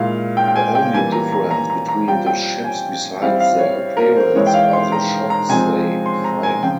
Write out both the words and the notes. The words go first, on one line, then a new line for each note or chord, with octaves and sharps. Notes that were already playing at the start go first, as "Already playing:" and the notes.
The only difference between the ships besides their appearance are the shots they fire.
Already playing: A#2 G#3 E4 F5
G5
G5
G#5
G5
E3 G3 A#3 G#5
A#5
A#5
A#5
A#5
A#5
G3 C4 F4 G5
G5
G#5
G3 C4 E4 F5
F5
C#5
A#4
C5
E3 G#3 E4 C#5
G5
F5
C6
A#5
A#5
C3 F3 G#3 C4 G#5
C6
A#5
G#5
C#3 F3 C4 F4 G5